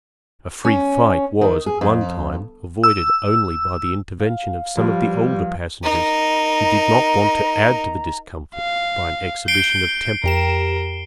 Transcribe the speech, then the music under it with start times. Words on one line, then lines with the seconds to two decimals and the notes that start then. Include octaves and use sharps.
A free fight was, at one time, avoided only by the intervention of some of the older passengers who did not want to add to the discomfort by an exhibition of temper.
0.65 C#4
1.41 D#3
1.66 G#4
1.81 F2
2.83 E6
4.20 F5
4.77 F3 G3 F4 B4
5.83 D#4 A#4 A#5
8.55 F5
9.48 G6 C7 D7 G7
10.24 F2 G4 A#4 E7